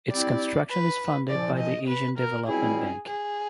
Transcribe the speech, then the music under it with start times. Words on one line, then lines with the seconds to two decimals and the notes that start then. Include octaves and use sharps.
Its construction is funded by the Asian Development Bank.
0.11 G3 C4 E4 D5
0.70 B4
1.29 C2 A#2 F3 D5
1.58 D#5
1.88 B4
2.18 A#4
2.48 C#2 B2 G3 C4 E4 G#4
3.07 G#4